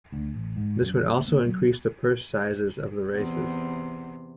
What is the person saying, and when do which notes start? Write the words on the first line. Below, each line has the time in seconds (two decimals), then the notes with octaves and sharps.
This would also increase the purse sizes of the races.
0.12 D2
0.34 A1
0.56 G#2
0.81 F#2
1.13 A#3
1.28 A#3
1.46 F#3
3.11 E2 C3